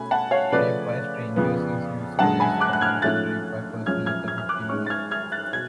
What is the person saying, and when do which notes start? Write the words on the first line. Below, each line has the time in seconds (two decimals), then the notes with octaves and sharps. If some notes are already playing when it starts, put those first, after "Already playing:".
Rape by strangers is usually less common than rape by persons the victim knows.
Already playing: B2 A3 C#4 G#5 B5
0.11 F#5 A5
0.31 C#5 F5
0.52 C#3 F3 A3 C#4 B4 D5
1.36 F2 C#3 F3 B3
2.19 F#2 D3 G#3 F#5 A5
2.40 G#5 B5
2.60 D6 F#6
2.73 F#6
2.81 F6 G#6
3.02 G#2 F3 A3 C#4 F#6 A6
3.86 F#2 F3 G#3 C#4 F6 G#6
4.06 F6 G#6
4.28 F6 G#6
4.38 F6
4.49 D6 F#6
4.69 G#2 G#3 C#4 C#6 F6
4.86 A6
4.90 F6 G#6
5.11 F6 G#6
5.32 F#6 A6
5.53 B2 G#6